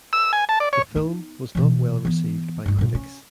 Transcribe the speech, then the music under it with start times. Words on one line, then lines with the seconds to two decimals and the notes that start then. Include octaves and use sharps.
The film was not well received by critics.
0.13 E6
0.33 G#5
0.49 A5
0.60 D5
0.73 C#5
0.96 B3 D#4
1.55 B2 E3
2.05 E3 B3
2.66 G2 F4
2.78 G2 A#2
2.95 C#4